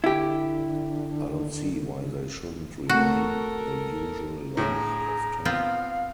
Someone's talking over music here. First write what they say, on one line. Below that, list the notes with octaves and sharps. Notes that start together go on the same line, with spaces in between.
I don't see why they shouldn't remain the usual length of time.
D3 E4 G4
A3 C4 F#4 A4 A#4
A2 D3 G#4 A#5
B3 C4 F4 F5